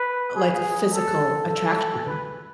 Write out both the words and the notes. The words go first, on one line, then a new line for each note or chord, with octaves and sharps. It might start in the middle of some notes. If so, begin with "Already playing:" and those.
like, a physical attraction.
Already playing: B4
G#4
A4
A4
B4